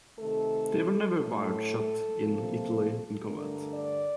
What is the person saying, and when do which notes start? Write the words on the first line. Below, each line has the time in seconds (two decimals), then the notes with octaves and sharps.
They were never wired shut in Italy in combat.
0.19 C3 D#3 A3 A4
1.20 A2 A4
1.26 A3
2.22 C3 F3 A#3
3.24 G2 D3 A3 A#4
3.75 D5